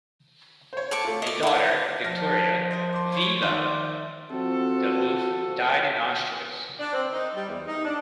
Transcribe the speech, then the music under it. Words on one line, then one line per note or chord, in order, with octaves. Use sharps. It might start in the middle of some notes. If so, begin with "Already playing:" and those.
A daughter, Vittoria "Viva" Daubeuf, died in Auschwitz.
C5 C#5
A4 C#6 D6
A3 F4
D5 D#5
E4 A4
F3 D4 A5 F6 A#6
A#4 C5 D#5
C6 D6
F4 C5 C#5
D#3 C5 D5 E5
F3 C4 F#4 A4
D4
C4
D#4
G3
E2
D#4
D4